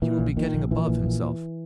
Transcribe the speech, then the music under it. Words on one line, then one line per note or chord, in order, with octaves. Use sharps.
He will be getting above himself.'
A#2 E3
A#1
A#2 D#3
A#1
A#2 E3
A#1
A#2